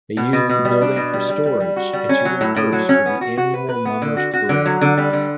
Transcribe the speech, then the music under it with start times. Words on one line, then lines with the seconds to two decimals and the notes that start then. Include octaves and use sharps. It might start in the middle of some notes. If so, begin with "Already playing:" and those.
They used the building for storage and to rehearse for the annual Mummers Parade.
0.17 B2
0.33 B2
0.50 B2
0.65 G3
0.82 D4
0.96 B2
1.14 G3
1.30 G3
1.46 G3
1.60 G3
1.76 F#4
1.93 G3
2.09 C#4
2.25 F#3
2.41 A2
2.56 A2
2.73 F#3
2.89 C#4
3.06 B3
3.21 F#4
3.37 F#4
3.54 B4
3.69 B4
3.85 B3
4.02 D3
4.17 F#4
4.34 F#4
4.49 D3
4.66 F#3
4.81 D3
4.98 G3
5.13 D3